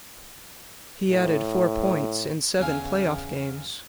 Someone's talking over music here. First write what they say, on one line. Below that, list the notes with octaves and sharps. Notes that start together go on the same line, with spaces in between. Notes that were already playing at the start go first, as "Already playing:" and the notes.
He added four points in seven playoff games.
A2
E2 C#3 F5 G#5